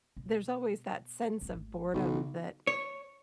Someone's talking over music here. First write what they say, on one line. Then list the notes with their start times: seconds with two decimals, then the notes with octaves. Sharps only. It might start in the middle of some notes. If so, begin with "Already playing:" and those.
there's always that sense of boredom that,
0.17 B2
1.41 G#1 A3
1.94 B1 C#3
2.67 C#5